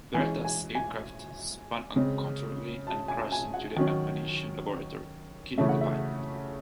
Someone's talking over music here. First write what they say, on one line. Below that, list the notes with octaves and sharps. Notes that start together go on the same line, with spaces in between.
Beretta's aircraft spun uncontrollably and crashed into the ammunition laboratory, killing the pilot.
E3 G#3 C#4 G#5
G#5
G#5
C#3 G#3 C4
A5
G#5
G#5
F#5
D#3 F#3 C#4
C#3 E3 A3 C#4 E5
F#5
E5